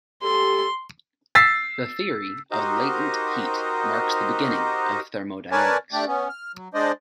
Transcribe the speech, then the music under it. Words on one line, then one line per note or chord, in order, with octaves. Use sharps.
The theory of latent heat marks the beginning of thermodynamics.
G4 A4 C6
E6 A6 B6 C7
D#4 F#4 G4 A#4 C5 D#5
A#4 B4 C#5 D5 G#5 A5
A3 D4 G4 D5
B3 C#4
F6
F#3
G#3 D4 C5 D5 D#5